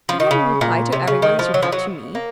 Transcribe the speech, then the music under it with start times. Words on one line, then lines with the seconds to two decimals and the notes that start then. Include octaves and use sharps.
"And have you replied to every one as you have to me?"
0.09 F3
0.20 D#3
0.31 C#3
0.61 A#2
0.92 C3
1.07 C#3
1.22 D#3
1.39 F3
1.54 F#3
1.62 F3
1.72 F#3
2.15 A#3